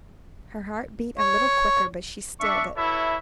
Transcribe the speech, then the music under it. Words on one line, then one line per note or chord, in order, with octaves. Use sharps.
Her heart beat a little quicker; but she stilled it.
C#5
D4 E5 C#6
E4 F#4 A4 B4 C#5 E5